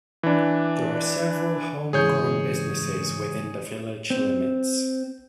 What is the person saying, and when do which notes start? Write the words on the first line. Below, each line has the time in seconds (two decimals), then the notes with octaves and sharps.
There are several "home grown" businesses within the village limits.
0.23 E3 D4
1.93 G#2 C#3 E3 G#4 C#5 G6
4.10 C4